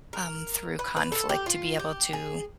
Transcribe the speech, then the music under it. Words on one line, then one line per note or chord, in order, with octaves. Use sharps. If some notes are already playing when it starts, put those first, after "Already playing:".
um, through conflict to be able to,
A#4
B4
B4
A4
G4
F4
G4
G#4